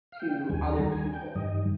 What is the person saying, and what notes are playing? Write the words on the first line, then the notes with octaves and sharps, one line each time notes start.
to other people
F5
G5
D#2 D#3 G3 G#5
A#5
G#5
G5
G2 D#3 G3 D#5